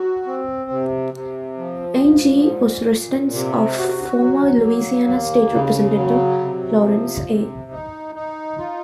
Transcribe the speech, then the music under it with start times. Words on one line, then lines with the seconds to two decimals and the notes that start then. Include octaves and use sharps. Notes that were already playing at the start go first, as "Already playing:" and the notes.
Angie was the residence of former Louisiana State Representative Lawrence A.
Already playing: F#3 F#4
0.26 C4
0.70 C3
1.14 C3
1.58 F3
2.02 G#2
2.45 A#2
2.90 A#2
3.33 C3
3.77 F#4
4.20 F#3
4.64 A#3
5.08 D#2
5.52 C#3
5.96 F#3
6.40 C3
6.84 F3
7.28 C3
7.71 D#4
8.15 D#4
8.59 F4